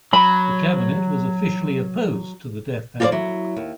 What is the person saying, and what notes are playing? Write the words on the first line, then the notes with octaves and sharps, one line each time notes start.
The cabinet was officially opposed to the death penalty.
F#3 B5
F4 G4 G#4 A#4 C5 D5
F#3 E4
D#2